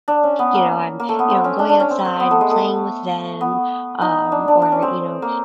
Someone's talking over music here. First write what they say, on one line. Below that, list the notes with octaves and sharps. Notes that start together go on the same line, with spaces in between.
you know, I'm, you know, going outside and playing with them, um, or, you know,
D4
C#4
B3
A#3
A#3
A3
B3
C4
C#4
D4
D4
C#4
C4
C4
B3
A3
G#3
A3
B3
D#4
D4
D4
D4
C#4
C4
A#3